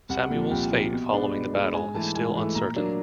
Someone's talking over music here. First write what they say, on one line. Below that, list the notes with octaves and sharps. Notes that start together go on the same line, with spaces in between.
Samuel's fate following the battle is still uncertain.
C2 F#5
A#2 F3
C2 G5
A#2 F3
B2
G#3 B3 D4
B2
G#3 B3 D4
G#2 G#5
E3 A3 A5
G#2 G#5
E3 A3
A#2 A#5
F#3 A#3 D4